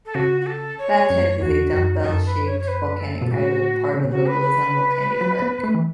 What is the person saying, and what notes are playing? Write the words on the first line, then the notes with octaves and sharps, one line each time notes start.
Batan is a dumbbell-shaped volcanic island, part of the Luzon Volcanic Arc.
A4
C#3 F#4
F#4
A4
C#5
F#2
E2 F#4
F#2
F#4
F#2 A4
B4
C#5
C#5
B4
A4
B2
A2 F#4
C#3
B2
C#3 F#4
B4
B4
F#3
B3
A3
E3